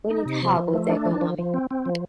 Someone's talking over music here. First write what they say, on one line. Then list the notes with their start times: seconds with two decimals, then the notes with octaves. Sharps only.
We need help with the economy.
0.10 D#4
0.26 C3
0.42 F3
0.58 F3
0.74 A3
0.90 D4
1.06 F3
1.21 F3
1.38 F3
1.54 C4
1.71 C4
1.86 F3